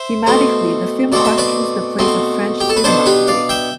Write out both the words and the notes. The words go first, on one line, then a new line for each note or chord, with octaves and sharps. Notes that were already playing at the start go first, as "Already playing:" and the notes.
Thematically, the film questions the place of French cinema today.
Already playing: C5 E5
B2 A3 C4
B2 A3 C4 D5
E5
B4 D5
B2 A3 C4
G4
A4
B4
B2 B3 D4 A4 C5
G4 B4
D5 F5
E5 G5